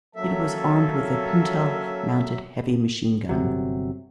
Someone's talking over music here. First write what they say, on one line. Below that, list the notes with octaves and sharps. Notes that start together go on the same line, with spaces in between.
It was armed with a pintle-mounted heavy machine gun.
F#3 A#3 C#4 A4 E5
G1 C3 F#3